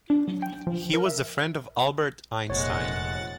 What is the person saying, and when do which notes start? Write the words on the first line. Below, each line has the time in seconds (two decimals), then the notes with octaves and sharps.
He was a friend of Albert Einstein.
0.10 D4
0.28 F#3
0.42 G5
0.67 F3
0.94 A#4
1.06 E5
2.50 F1 A#2 G#3 C#5 F#5 A6